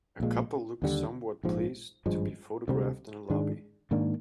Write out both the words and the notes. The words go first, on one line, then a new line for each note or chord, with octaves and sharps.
A couple looks somewhat pleased to be photographed in a lobby.
A#1 A#2 G#3
D#2 D3 G3
A#1 G#2 F3
G#1 G2 F3 G#3
D2 C3 G3 C4
G#2 D#3 G#3 D4
G#2 D#3 A#3 D4